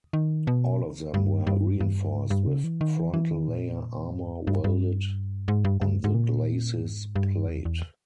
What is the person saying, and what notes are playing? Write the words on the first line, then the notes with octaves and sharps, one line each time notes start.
All of them were reinforced with frontal layer armor welded on the glacis plate.
D#3
B2
G2
G2
G2
G#2
G2
C#3
E3
D#3
E3
E3
D#3
A#2
G#2
G2
G2
G#2
G2
G2
G#2
A#2
G#2
G2
E2
E2